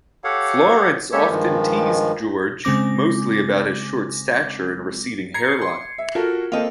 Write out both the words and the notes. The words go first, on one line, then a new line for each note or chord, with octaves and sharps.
Florence often teased George, mostly about his short stature and receding hairline.
G4 A4 C#5 F5 F#5
G#3 A#3 G4 A4 C#5 E5
G2 D#3 F3 G#3
C#3 G#3 C4 D6 A#6
A#5 G#6 C7 C#7
C6
E5
F4 F#4 A4 A#4
A#3 C4 A4 D#5 F5